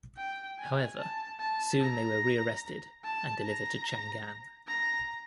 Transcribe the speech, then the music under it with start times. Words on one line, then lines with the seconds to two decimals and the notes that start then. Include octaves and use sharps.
However, soon they were rearrested and delivered to Chang'an.
0.17 G5
0.58 G#5
0.98 A5
1.40 A5
1.80 A#5
3.04 A5
3.44 A#5
4.68 A#5